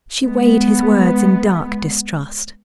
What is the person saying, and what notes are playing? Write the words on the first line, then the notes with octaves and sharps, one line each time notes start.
She weighed his words in dark distrust.
G#3 B3